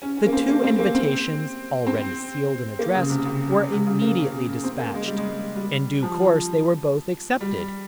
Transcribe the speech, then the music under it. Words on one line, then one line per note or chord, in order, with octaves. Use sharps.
The two invitations, already sealed and addressed, were immediately dispatched; in due course they were both accepted.
C#4
C#4
A#3
C4
A#3
C4
A#3
C4
C4
A#3
C#3
C3
C#3
C3
C#3
A#3
C#4
C4
A#3
G#3
G3
G#3
G3
F3
G3